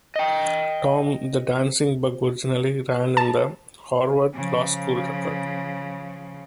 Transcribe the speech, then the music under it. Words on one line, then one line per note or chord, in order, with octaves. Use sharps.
Tom the Dancing Bug originally ran in the "Harvard Law School Record".
D#5 G5
A5
C#3 F3